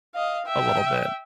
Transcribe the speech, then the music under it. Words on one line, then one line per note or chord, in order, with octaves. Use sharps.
a little bit,
D#5 F5
E5 G5